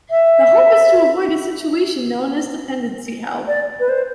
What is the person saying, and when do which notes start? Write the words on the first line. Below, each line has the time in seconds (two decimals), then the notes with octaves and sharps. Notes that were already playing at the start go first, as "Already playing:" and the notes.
The hope is to avoid a situation known as dependency hell.
0.11 E5
3.47 D5
3.80 B4
3.89 C5